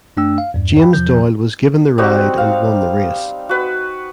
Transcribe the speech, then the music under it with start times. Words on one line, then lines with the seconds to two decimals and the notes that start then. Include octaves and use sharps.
James Doyle was given the ride and won the race.
0.17 F#2 A3 D4 G5 E6
0.38 F5
0.54 E2 G2
0.80 G5 B5
0.93 E2 C3 F3 G6
1.98 G3 C4 D#4 F#4
2.38 F5
3.49 F#4 B4